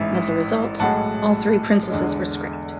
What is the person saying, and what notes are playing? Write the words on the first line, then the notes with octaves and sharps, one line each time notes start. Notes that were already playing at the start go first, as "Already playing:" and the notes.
As a result, all three Princesses were scrapped.
Already playing: A1 G#2 E3 E5
B1 A2 G#3 F#5 A5
E2 D3 G#3